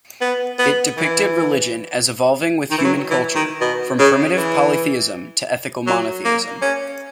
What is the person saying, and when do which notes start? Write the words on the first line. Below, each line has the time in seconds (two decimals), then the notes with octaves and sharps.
It depicted religion as evolving with human culture, from primitive polytheism to ethical monotheism.
0.21 B3
0.59 B3
0.97 E3
2.71 D#3
2.78 E3
2.85 F#3
3.10 E3
3.35 D#3
3.61 B2
3.99 C#3
4.37 E3
5.87 F#3
6.25 A#3
6.62 C#4